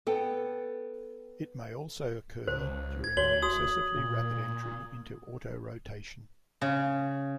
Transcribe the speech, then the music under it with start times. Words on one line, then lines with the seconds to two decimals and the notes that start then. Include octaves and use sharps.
It may also occur during an excessively rapid entry into autorotation.
0.07 B3 A4 G5
2.48 C#2 C5
3.04 G#6
3.17 D2 F#4 C#5 F#7 G7
3.42 F#4 D#6
3.96 A#2
6.61 C#3